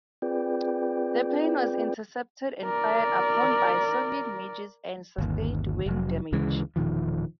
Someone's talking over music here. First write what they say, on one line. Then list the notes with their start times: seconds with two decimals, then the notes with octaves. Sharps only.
The plane was intercepted and fired upon by Soviet MiGs and sustained wing damage.
0.22 C4 F4 G#4 B4 D5 G5
2.64 A#4 D5
5.18 G1 D#2
5.86 F1 F#3
6.32 D2 C#3 E3 G#3
6.76 E1 A#2 D#3 F3